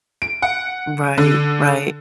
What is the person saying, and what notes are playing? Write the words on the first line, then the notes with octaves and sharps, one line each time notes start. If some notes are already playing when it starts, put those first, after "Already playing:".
Right, right.
D7
F#5
D3